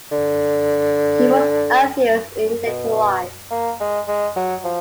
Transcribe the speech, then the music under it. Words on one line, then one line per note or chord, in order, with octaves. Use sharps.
He was an atheist in later life.
D3
B2
A#3
G#3
G#3
F#3
F3